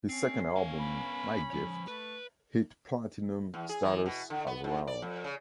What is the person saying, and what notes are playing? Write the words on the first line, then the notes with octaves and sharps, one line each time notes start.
His second album "My Gift" hit Platinum status as well.
C4 C#4 C7
B3 F5
B5
F3 C#5
A3 B4
E2
G#4
E3
B2
D3
B3
G#2
D5
F2
C#3